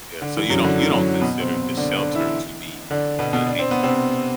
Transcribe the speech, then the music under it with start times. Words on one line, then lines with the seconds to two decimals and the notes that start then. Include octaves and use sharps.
Yeah, so you don't you don't consider the shelter to be good hands?
0.22 D3
0.36 E3
0.50 F#2 F#3
0.64 D3
0.78 E3
0.92 F#2 F#3
1.21 B2 B3
1.40 C3 C4
1.77 D3 D4
1.96 D3 D4
2.15 E3 E4
2.91 D3 D4
3.19 B2 B3
3.33 B2 B3
3.47 D4
3.59 C4
3.71 B3
3.83 C3 C4